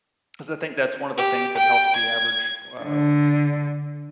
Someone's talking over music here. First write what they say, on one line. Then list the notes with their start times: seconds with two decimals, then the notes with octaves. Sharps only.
'Cause I think that's one of the things that helps the average, uh,
1.17 G4
1.57 G5
1.96 G#6
2.83 D3